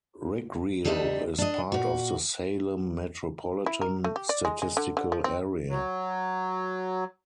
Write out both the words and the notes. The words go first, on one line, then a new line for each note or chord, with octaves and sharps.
Rickreall is part of the Salem Metropolitan Statistical Area.
E2 G3 D4 D#4 D#5 E5
D4 D#5
A#2 F#4
E4
A#4
A3
G4
D5
G#3
G#3
D3
D3
F3
C4
F#3